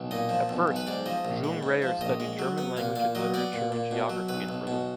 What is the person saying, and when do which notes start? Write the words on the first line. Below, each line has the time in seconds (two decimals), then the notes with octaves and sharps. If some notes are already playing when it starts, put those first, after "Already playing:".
At first, Junge-Reyer studied German language and literature and geography in Berlin.
Already playing: B1
0.11 A#2 D#5
0.29 F3
0.49 B1
0.68 B1
0.76 B4
0.87 G#2 D5
1.06 F3 D#5
1.25 A#1
1.44 G#3
1.63 G#2
1.82 F3
2.01 A#1 D#5
2.20 G#3
2.39 F#3
2.58 B3
2.77 A#2 F5
2.95 A#2 F5
3.15 F#3 D#5
3.34 B3 D5
3.53 A#2
3.72 A#2
3.91 B2
4.10 F#3
4.29 B1 B4
4.49 B1
4.67 B2